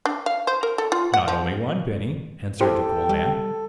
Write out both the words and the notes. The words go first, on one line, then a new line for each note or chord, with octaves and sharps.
"Not only one penny," answered the Coal Man.
D4
F5
C5
A#4
A4
F4
F#5
F3
E4 G4 A4 C5 G5
G3